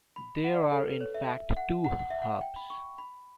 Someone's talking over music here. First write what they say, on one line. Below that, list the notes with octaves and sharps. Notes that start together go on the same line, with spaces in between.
There are in fact two "hubs".
B5
F#5
D5
A4
B4
C#5
E5
F#5
F#5
F#5
E5
F#5
G5
B5
C#6
B5